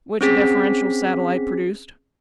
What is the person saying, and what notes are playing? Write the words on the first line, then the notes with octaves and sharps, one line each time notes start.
Which a deferential satellite produced.
C4 C#4 G#4 B6